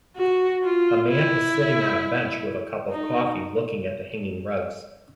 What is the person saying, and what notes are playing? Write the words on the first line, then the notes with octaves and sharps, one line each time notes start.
A man is sitting on a bench with a cup of coffee looking at the hanging rugs.
F#4
F4
E4
D#4